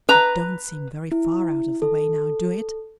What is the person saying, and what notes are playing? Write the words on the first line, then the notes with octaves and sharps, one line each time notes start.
That don't seem very far out of the way now, do it?'
B4 A#5
E4
A4